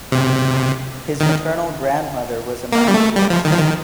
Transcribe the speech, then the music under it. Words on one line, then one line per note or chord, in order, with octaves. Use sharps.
His maternal grandmother was a manicurist.
C3
D#3
A#3
G3
A3
G3
F3
D#3
F3
D#3